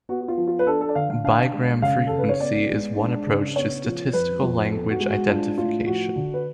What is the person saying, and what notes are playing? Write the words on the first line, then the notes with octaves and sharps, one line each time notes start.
Bigram frequency is one approach to statistical language identification.
B3 F#4
F#4
F4
F3
F4
B4
D4 A4
A4
D5
D3 F5
F5
D4 F5
G#3
C#3 F5
C#3 A4
B4
C#5
B3 D5
G#3
D4
C#3
B3 C#5
F3
F2 B4
F2
B3 A4
F#4
G#3
F#4
D4 F4
A2 F4
F3 F#4
D3
B4